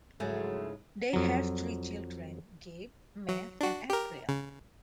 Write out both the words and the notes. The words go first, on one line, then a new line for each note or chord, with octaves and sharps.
They have three children: Gabe, Matt, and April.
G#2 C#3 F3 F#3 G#3 A3 E4 G#4
F2 F#3
F#3
D4 F#4
G4 A#4
C#3